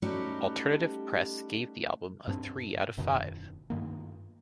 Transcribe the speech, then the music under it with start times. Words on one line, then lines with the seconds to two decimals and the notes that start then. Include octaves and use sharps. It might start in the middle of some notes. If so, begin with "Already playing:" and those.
"Alternative Press" gave the album a three out of five.
0.02 G3 A3 C#4 D#4 F#4 G4
2.27 G2 C4 D4
2.97 E1 F#2 B2 D#3
3.70 G2 D#3 A#3